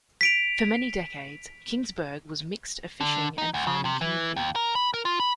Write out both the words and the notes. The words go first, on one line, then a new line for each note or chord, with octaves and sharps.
For many decades Kingsburg was mixed a fishing and farming community.
B6 D7 F7
D3
D#4
D2
C#3
C3
E3
D#2
A#4
B5
A#4
F4
B5